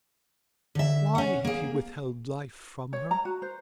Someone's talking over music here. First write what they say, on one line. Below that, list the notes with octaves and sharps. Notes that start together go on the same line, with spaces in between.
Why had he withheld life from her?
D3 E5
C#4 F#5
A#3 G#4
C#5
A#5
F#4
C5